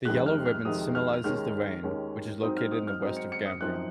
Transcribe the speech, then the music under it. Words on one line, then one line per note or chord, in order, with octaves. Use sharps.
The yellow ribbon symolises the Rhein, which is located in the west of Gamprin.
F2 C3 D#3 G#3 F#6
F6
F6
F2 C3 D#3 G#3 D#6
F6
D#2 D#3 G#3 C#4 F6
D#2 D#3 G#3 C#4
G#2 F#3 C4 D#4 D#6
F6
D#6
F6
G#2 F#3 C4 D#4 D#6
C#7
C#7
D#6
F#2 F3 C4 D#4 F#6